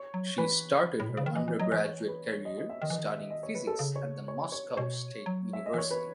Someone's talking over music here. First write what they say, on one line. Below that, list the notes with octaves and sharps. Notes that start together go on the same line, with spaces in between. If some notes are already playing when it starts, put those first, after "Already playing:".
She started her undergraduate career studying physics at the Moscow State University.
Already playing: C#5
F#3
E3 B4
A2
B2
C#3
D#3
E3 D#5
E3
F#3 D#5
E3
C#5
B4
C#5
D#5
D#5
E5
D#3 D#5
E3
D#5
D#3
E5
D#5
D#5
C#5
B4
A4
C#3
C#5
C#5
C#5
B2 C#5
F#3
E5
D#5
E3 C#5
B4